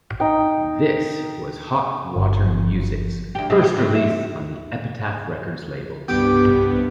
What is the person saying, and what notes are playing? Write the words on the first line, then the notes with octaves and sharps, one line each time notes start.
This was Hot Water Music's first release on the Epitaph Records label.
D#4 G5
G1
D2 G4
C3 F#3 G#3
G4
C3 F#3
E5
C2 G2 B3 G4 D6